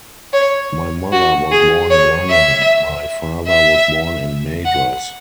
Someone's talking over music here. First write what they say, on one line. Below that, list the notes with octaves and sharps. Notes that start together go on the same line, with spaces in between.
My mother was born in London and my father was born in Madras.
C#5
F#4
G#4
C#5
E5
E5
F#5